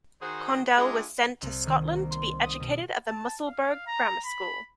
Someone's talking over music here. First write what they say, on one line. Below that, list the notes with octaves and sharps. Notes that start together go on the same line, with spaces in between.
Condell was sent to Scotland to be educated at the Musselburgh Grammar School.
D#3 D#4 F#4 G#4 C5
G#3 D4 E4 F4 G4
C2
D#3
A#3
C6
D#6
B2
A5
F5
A#5
B5